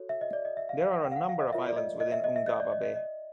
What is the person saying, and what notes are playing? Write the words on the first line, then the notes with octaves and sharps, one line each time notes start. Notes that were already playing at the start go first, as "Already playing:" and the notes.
There are a number of islands within Ungava Bay.
Already playing: F#4 A4 C#5
E5
D#5
D5
D#5
E5
F5
F5
F#5
G5
F5
F#5
F5
D#5
F4 A#4 C#5 E5
D5
D#5
D#5
E5
D#5
E5
D#5
D5
D#5
D#5
D#5